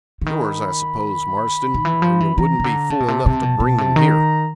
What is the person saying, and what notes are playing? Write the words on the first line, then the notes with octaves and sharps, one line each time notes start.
Yours, I suppose, Marston, or you wouldn't be fool enough to bring them here.
D3
D#3 B5
D#3
E3
F3
E3
E3 A#5
C#3
D3
C#3 A5
B2
C3
C3
B2
B2
C3
D#3 A#5